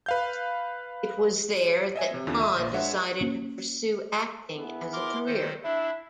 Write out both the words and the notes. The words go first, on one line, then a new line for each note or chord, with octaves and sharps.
It was there that Vaughn decided to pursue acting as a career.
B4 F5 G6
D#5 E5 G#5
C3
E2 D3 F4
E5 D#7
A#1 A#3
G#3 D4 B4 C#5 E5 F#5
A#3 C#4
B3 E4 G#4
A#4 C6 D6
D#3 A4 C5
D4 E4 E5